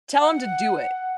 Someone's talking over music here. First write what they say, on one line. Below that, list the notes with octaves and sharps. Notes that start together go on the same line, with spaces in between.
"Tell them to do it."
F#5